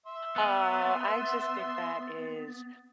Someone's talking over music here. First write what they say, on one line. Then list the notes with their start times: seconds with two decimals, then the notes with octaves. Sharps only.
Oh, I just think that is
0.06 E5 C6
0.36 B3